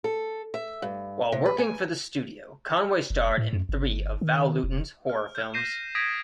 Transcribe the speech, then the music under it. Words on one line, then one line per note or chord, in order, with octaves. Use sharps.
While working for the studio, Conway starred in three of Val Lewton's horror films.
A4
E5
G2
C3
B4
G#5
F1
A2
F#2
G1
D#3
E1
F6
F6 G6
G6 A#6 C7 D#7 E7
D#6 G#6 A#6 B6 D7 D#7